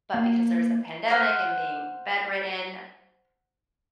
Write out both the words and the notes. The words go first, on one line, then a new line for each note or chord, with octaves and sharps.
But because there was a pandemic and being bedridden,
A#3 F5
C5 F#5 F6